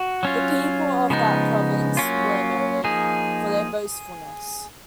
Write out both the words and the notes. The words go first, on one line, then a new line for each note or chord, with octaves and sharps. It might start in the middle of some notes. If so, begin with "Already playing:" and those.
The people of that province were noted for their boastfulness.
Already playing: F#4
F#3 C#4 F4
C#3 F3 G#3 B3 D#4
F#3 A#3 C#4 F4
F3 A#3 D#4 G#4